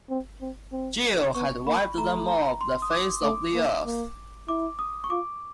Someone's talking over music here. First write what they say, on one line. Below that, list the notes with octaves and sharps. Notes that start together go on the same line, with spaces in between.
Gill had wiped them off the face of the earth.
C4
C4
C4
B3 C#6
A#3 B5
A3 A#5
A#5
C6
D#6
D6
A3 D6
A#3
A#3
E4 D6
D#6
C#6
F4 D6